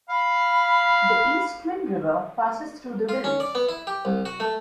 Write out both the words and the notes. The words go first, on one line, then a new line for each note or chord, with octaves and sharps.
The East Twin River passes through the village.
F5 B5
F4
C#4
D5
B3
E4
G4
C2
F#4
A3